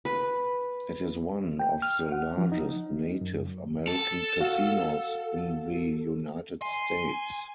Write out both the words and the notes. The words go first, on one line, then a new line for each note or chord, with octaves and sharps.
It is one of the largest Native American casinos in the United States.
B4
G5
F6
F#5
F3
D#4
F#2
A4
F#4 F5
G#5 C6